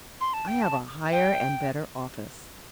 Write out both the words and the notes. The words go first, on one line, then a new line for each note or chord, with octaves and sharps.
I have a higher and better office.
C6
A5
G5
A5
G5